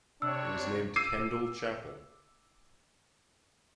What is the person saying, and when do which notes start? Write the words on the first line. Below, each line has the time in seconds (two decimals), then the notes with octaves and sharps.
It was named Kendall Chapel.
0.22 C3 D4 C#5 E6
0.96 D6 E6 C7 D#7